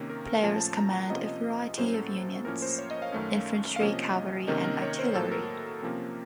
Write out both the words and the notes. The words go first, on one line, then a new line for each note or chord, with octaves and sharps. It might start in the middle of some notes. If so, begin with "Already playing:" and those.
Players command a variety of units: infantry, cavalry, and artillery.
Already playing: C3 D#3 A#3 C#4
A#4
A#4
A#2 F3 A3 C#4 A5
A5
A#5
F#5
C3 F3 A#3 C#4 D#5
D#5
A2 F#3 A#3 C#4 C5
A4
A2 F3 A#3 C#4 A#4
C5
C#5
D#5
F5
F#2 D#3 A3 C#4
F5
C3 F3 A#3 C#4 D#5
C3 D#3 A#3 C#4 D#5
A#4
C#5
C5
A2 F#3 A#3 A4
A#4
C3 F3 A#3 C#4